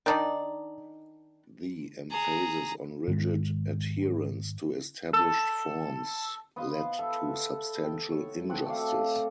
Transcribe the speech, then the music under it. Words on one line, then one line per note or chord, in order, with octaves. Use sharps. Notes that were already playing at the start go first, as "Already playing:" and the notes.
The emphasis on rigid adherence to established forms led to substantial injustice.
D#3 D4 D#4 D5
G#4 A#5
G#2 D#3 G#3
A4
B3 C5 D#5 F5
A4 E5
G5
C#5
C4 F#4 F#5 A5
A3 A4 D5 F5